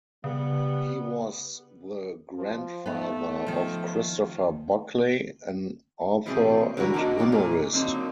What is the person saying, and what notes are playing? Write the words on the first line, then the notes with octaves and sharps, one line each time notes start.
He was the grandfather of Christopher Buckley, an author and humorist.
C#3 G3 B3
F3
A3 B3 D#4
D#3 F3
B2 E3 G3 A3 C4 G#4
D3 E3 C#4 F#4 A#4
A#3 D4 F4 F#4 A#4 D#5
E3 C#4 D#4 D5
A#2 G#5
D3 F#3 A#3 C4 D4 D#4